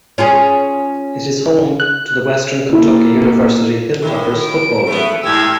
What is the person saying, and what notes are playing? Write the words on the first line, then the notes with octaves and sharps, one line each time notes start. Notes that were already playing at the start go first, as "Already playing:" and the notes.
It is home to the Western Kentucky University Hilltoppers football team.
C#4 F4 G#4
F#6
A#3 E4 A4
A2 D#3
D7
A3 B3
G#2 G4 E6 G#6